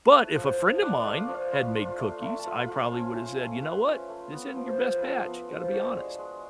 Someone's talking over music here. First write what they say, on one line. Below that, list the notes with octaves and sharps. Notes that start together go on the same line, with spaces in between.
but if a friend of mine had made cookies, I probably would have said, "You know what, this isn't your best batch, gotta be honest",
A3 B4
F3
F3
D4
D5
A3
F5
F3
F5
F4 B5
F4
A3
A3 B5
A5
F4
B5
F4
B5
C#4 A5
A3 G#5
A3 F5
F4 B4
C#4
A3
B3
F3
F3
B4
F4 A4
B3
F3
D4 F#4
G#3
G#3